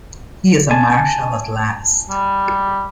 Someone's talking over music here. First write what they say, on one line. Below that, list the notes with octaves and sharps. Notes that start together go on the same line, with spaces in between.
He is a marshal at last.
G#5 A5
G3